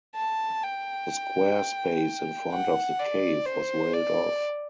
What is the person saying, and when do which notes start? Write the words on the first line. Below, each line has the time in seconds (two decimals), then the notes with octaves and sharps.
A square space in front of the cave was railed off.
0.16 A5
0.63 G5
2.53 F#5
2.99 D5
3.46 C5
3.93 D5